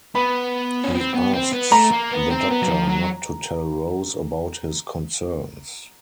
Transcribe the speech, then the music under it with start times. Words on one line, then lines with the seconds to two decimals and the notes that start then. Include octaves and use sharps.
He asks the Doctor not to tell Rose about his concerns.
0.15 B3 B5
0.84 C#4
0.94 C4
1.14 B3
1.33 C4
1.53 B3
1.72 A3 A#5
1.92 A#3
2.11 B3
2.30 C4
2.50 B3
2.62 F#3
2.69 F3
2.89 F#3